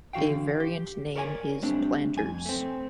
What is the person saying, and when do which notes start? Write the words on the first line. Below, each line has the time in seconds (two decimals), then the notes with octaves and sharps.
A variant name is "Planters".
0.13 D3 E3 F#4 F5 G5
0.60 G4
1.16 A#4 C#5 D5 G5 G#5
1.63 G3 A3 C4 D4
2.16 F2 G#5
2.46 A3 C4